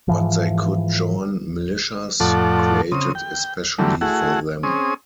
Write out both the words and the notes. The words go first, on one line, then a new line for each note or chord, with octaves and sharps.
But they could join militias created especially for them.
G#2 E3 F3
F2 A2 F3 A4 D5 F#5
C#3 C4 D#6
G5
D3 E3 F#3 G3 A3
A3 E4 F#4 G#4 F#5
C4 C#4 G#4 D#6